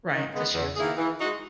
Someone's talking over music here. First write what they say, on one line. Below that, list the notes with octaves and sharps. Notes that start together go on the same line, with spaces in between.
Right. It's a shared spa
D#3
G#3 B3
E2
D#3 A#3 E4 G#4
E3
G#3 D#4 F#4